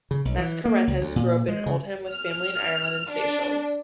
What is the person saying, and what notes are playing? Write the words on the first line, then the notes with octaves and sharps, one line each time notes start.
Mascarenhas grew up in Oldham with family in Ireland and Seychelles.
C#3
B1
E3
A#3
C#2
D2
A#2
G#3
C#3
F6
D4